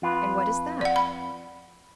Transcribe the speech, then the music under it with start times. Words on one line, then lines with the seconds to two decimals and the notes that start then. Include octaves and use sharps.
"And what is that?"
0.02 F2 F4 B4
0.81 D5 F#5
0.96 B5